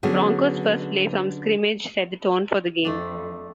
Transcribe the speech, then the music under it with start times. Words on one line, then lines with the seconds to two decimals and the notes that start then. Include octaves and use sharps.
The Broncos' first play from scrimmage set the tone for the game.
0.03 D3 F#3 B3 C#4 G#4
2.85 F2 A3 D4